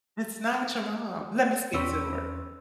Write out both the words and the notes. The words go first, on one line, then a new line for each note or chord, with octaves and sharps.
It's not your mom. Let me speak to her.
E2 C4 C#4 B4 E6